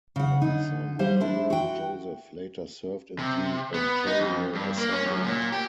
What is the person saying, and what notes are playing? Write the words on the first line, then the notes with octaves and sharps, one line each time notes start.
One son Donald Joseph later served in the Ontario assembly.
C#3 F#5
D3 D#4
G3 C5 F5
D4 E4 C5
F#4 G5
C3
B3
D#4
F2
G2
A#3
C#4
F#2
A#2
G4